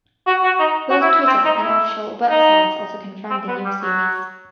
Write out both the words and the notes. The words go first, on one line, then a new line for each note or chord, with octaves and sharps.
Both Twitter and official websites also confirm the new series.
F#4
F#4
D#4
F#4
E4
E4
C4
D#4
E4
D#4
C4
B3
G3
F#3